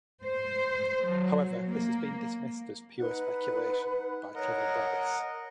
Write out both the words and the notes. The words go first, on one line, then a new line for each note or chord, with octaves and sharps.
However, this has been dismissed as "pure speculation" by Trevor Bryce.
C5
F#3
A#3
D#4 B4 F#5
A#4 C#5 D#5 F#5